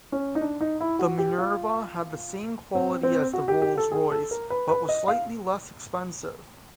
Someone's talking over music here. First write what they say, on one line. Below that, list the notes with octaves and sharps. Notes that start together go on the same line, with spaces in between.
The Minerva had the same quality as the Rolls-Royce, but was slightly less expensive.
C#4
D#4
D4
D#4
E4
F#4
G4
F4
C4
C4
F#4
G4
G4
A4
G#4
A4
A#4
B4
B4
D#5
F5